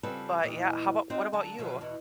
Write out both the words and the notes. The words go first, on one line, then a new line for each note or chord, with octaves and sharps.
But yeah. How about What about you?
C#3 G3 C4 F4 A4 B4
E2 A#2 E3 G3 D#5
C4 D#4 F4 F#4 C5
D3 F#3 A5
B2 D#3 F3 F#3
E2 B2 E3